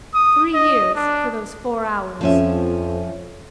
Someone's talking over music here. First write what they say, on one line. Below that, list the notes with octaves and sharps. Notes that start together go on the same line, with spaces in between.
Three years for those four hours.
D#6
D#5
D4
F2 F3 C#4 E5